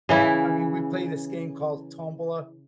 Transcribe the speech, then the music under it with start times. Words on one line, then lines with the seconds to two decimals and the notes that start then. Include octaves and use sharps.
I mean, we play this game called Tombola,
0.09 C#3 E3 E4